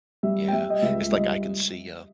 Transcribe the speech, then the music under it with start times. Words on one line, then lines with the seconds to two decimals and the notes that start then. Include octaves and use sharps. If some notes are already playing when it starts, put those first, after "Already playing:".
Yeah, it's like I can see, uh
0.23 G3 E5
0.48 G5
0.53 G3 E5
0.70 D#5
0.82 C#2 E5
1.12 G3 D#5